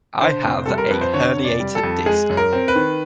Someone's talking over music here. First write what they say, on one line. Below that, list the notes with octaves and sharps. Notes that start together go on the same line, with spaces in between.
I have a herniated disc.
D3 C5
F1
G3 A4
A#4
F2 B4
C5
D3 C#5
F1
D5
G3
A4
F2
G#3 G#4
F#2
A#4
C4
B4
D#3